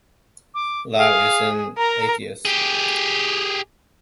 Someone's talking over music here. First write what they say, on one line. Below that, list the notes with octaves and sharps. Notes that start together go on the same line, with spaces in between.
Lock is an atheist.
D6
G#4 F5
A#4 A#5
G4 G#4